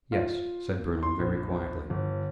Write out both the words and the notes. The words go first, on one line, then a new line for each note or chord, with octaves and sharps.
"Yes," said Bruno, very quietly.
F4
C6
A#1
G1